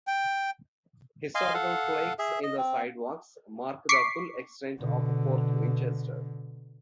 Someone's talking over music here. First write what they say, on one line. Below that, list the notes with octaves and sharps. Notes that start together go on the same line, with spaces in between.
Historical plaques in the sidewalks mark the full extent of Fort Winchester.
G5
D#5 F5 G#5 C6
A4 F5 F#5
G#4 E5
D#5
C4
C#6 D6 B6 C7
B2 D3